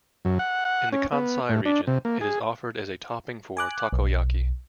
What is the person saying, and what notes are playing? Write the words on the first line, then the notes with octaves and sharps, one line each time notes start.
In the Kansai region, it is offered as a topping for "takoyaki".
F#2
F#5
F#5
C#4
B3
A2
D4
C3
A#3
G#4
G#5 D6 F#6
B1